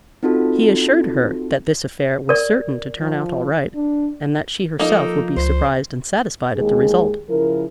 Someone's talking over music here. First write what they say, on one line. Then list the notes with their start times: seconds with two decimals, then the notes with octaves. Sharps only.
He assured her that this affair was certain to turn out all right, and that she herself would be surprised and satisfied at the result.
0.23 C4 D#4 F4 F#4 A4
2.29 A#4 D5
2.99 F3
3.75 D4
4.79 F3 A#3 D#4 A4
5.37 C#2 C5
6.56 D#2 G#3 G#4
7.29 C#3 F3 E4 A#4